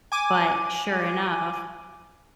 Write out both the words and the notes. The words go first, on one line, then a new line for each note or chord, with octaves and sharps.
but sure enough
G#5 D6 D#7